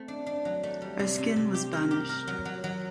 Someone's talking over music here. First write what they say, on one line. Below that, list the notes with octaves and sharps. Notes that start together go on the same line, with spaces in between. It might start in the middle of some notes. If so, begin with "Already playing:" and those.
Erskine was banished.
Already playing: A3 C4
D4
D4
F#3
A3
G3
C3
C3
C3
G4
A#4
G4
A#4
F#3
F#3
F#3